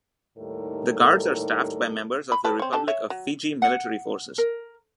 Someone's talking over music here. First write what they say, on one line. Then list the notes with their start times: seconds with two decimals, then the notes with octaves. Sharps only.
The guards are staffed by members of the Republic of Fiji Military Forces.
0.38 D#2 A2 G3 D#4 A4 A#4
2.32 B5
2.44 G4 A4 B4
2.60 C4 C#5
2.73 D4 G4 A4
2.88 C#5 E5
3.10 F#3
3.62 F#5
4.38 A#4